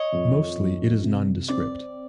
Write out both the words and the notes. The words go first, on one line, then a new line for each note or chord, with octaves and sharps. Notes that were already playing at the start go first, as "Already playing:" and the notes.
Mostly it is nondescript.
Already playing: C#5 D#5
F2
F2
C3
C4 D5